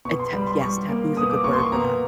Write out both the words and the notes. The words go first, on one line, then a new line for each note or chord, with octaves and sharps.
Eh, ta Yes, taboo's good word for that,
B2 C#6
C6
G3 B5
C6
G3 C#6
A#3
B2 D#6
D6
A#3 C#6
C6
C#6
B2 A#5